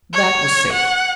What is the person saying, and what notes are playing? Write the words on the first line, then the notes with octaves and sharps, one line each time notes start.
That was safe.
C#5
F#5